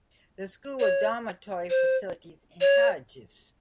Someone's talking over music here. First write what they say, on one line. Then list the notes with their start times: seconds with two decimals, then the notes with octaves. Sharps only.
The school has dormitory facilities in cottages.
0.80 C#5
1.70 C5
2.61 C#5